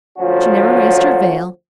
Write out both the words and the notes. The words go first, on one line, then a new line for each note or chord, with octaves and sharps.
She never raised her veil.
D2 F3 F#3 C#4 F#4